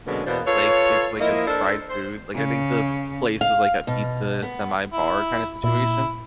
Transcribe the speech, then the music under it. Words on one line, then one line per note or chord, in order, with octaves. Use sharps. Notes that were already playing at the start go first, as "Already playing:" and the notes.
like, it's, like, a fried food, like, I think the place was like a pizza semi-bar kinda situation,
B2 D3 F#3 G#3 A#3 C#4
E2 B2 A#3 B3 C5 D5
F4 A4 B4 C#5
F3 A#3 E4 A#4 D#5
D4 A4 A#4 C5
C5
C#3
F5
B2
B3
E4
A#2 E4